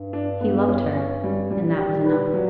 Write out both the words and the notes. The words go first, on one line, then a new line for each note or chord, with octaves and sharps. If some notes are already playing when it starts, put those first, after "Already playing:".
He loved her, and that was enough.
Already playing: G2
D4
B3
C#4
C#4
G3
A#2 G3
G4
B4
F#3